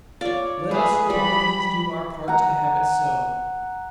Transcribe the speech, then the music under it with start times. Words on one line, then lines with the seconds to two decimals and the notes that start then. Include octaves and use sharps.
Let us Republicans do our part to have it so.
0.21 F4 C#5 D5 F5
0.71 G#4 B4
1.10 G3 B5
2.28 F#5 A#5